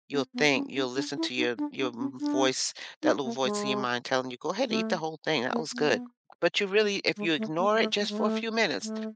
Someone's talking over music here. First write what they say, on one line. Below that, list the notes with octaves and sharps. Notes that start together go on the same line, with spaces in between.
you'll think you'll listen to your your m voice, that little voice in your mind telling you, "Go ahead eat the whole thing. That was good." But you really if you ignore it just for a few minutes,
C4
B3
C#4
D4
D4
E4
D#4
D4
D4
C#4
D4
D#4
A#3
G#3
A3
A#3
B3
A3
G#3
A3
A#3
G#3
A3
A3
G#3
A3
A3